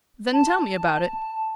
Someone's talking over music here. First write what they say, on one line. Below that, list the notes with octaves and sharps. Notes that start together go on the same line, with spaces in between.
"Then tell me about it."
A5